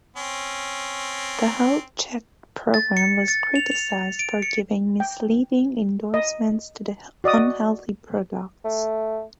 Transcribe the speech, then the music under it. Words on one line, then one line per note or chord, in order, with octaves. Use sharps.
The Health Check program was criticized for giving misleading endorsements to unhealthy products.
C4 C#4
A6
C#7
A6
F7
F7
D7
C#7
G5
D#5
F#4 D5 D#5 D#6
A3